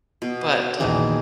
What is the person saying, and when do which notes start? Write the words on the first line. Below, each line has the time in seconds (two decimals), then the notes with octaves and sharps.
But, uh,
0.22 B2
0.80 A#1 D#3 E3 G#4